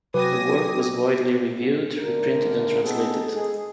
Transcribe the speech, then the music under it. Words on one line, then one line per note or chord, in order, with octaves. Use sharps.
The work was widely reviewed, reprinted and translated.
C3 F#3 B4 G5 G#5 D6 D#6 A#6
G#2
G#1 D2 D3 A#4
B3 C4 D#4 G#4 A4
G#3 G#4